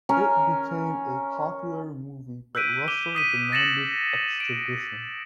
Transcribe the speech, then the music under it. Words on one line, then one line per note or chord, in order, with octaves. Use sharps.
It became a popular movie, but Russell demanded extradition.
C#4 A#4
E6 F#6 G6 B6 D7 D#7
D6 D#7 G7
D#6 B6 D#7
A6 A#6 C#7 E7 F#7
D7 E7